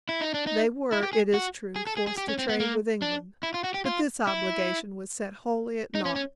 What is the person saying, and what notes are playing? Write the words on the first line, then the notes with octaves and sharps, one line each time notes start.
They were, it is true, forced to trade with England, but this obligation was set wholly at naught.
E4
D#4
D4
D#4
E4
G4
G#4
F#4
G#4
A4
G#4
G#4
G4
C#4
C4
B3
A#3
D4
E4
F4
F#4
G4
F4
E4
D#4
C#4
C#4